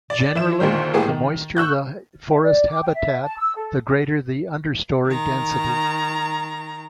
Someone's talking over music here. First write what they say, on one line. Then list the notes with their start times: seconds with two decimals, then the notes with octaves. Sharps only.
Generally the moister the forest habitat the greater the understory density.
0.10 D5
0.35 E3 E4 E7
0.60 F#1 D2 A#2 D#3 C5
0.94 A2 G3 A#3 B3 G#4
1.08 D#3
1.57 C#6 E6 F#6 G6
2.28 E5
2.43 D5
2.68 D6
2.83 G5
2.95 E5
3.22 A5
3.38 E6
3.56 A4
5.06 D#3 A#5